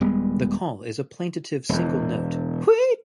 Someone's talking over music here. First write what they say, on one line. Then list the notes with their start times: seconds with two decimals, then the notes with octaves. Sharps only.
The call is a plaintive single note, "wheet".
0.01 D#1 G3 G#3 B3
1.69 E1 E2